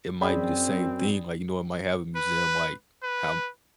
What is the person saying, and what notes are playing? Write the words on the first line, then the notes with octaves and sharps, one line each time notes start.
it might be the same thing. Like, you know, it might have a museum, like, how
F#2 C4 C#4 G#4 D5 G5 B5
B4
B4